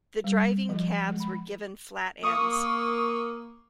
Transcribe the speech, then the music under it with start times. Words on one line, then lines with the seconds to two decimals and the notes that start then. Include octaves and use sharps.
The driving cabs were given flat ends.
0.24 G3
0.69 F3
1.08 G#3
1.20 B5
2.24 A#3 C#6 D#6